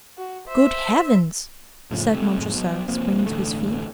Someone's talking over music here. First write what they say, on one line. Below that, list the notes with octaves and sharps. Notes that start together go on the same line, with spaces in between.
"Good Heavens!" said Montresor, springing to his feet.
F#4
C5 E5
F2 A2 C#3 F3
C3 A3
F2 A2 G#3
B1 B2
E1 F3 A#3 C4
E1 A1 D3 A3